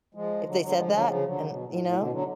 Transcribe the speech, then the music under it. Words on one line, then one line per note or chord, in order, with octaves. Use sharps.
if they said that and, you know,
F3 G#3
D3 F#3
D3 F#3
F3 G#3
G#3
D3 F#3
C#3 F3
D3 F#3
B2
A2
A2
B2 D3
D3 F#3